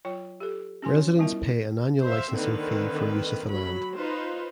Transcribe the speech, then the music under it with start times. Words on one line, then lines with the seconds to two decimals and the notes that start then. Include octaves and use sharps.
Residents pay an annual licensing fee for use of the land.
0.05 F#3 F4 C#5 G5
0.40 G4 A4
0.82 C#4 F#4 G#5 C6
0.95 C#5
1.19 G3 B3 E4 F4 A#4 E5
2.04 C5 E5 F5
2.35 D3 D#3 A#3 C4 B4
3.48 F#3 B5
3.96 D#4 F4 B4 C5